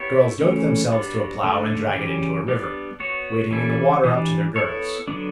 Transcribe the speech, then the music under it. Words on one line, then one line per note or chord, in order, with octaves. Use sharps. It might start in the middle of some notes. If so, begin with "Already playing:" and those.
Girls yoke themselves to a plough and drag it into a river, wading in the water up to their girdles.
Already playing: B3 E4 G4 C#5
C#3 E3 A3 C#4
G3 B3 D4 F#4
D3 A3 D4
C#3 E3 G3 C#4 G4
G3 B3 D4
B3 F#4 C#5
E3 G3 C#4 E4 A4
E3 G3 D4
B3 E4 A4 C#5
D3 F#3 B3 D4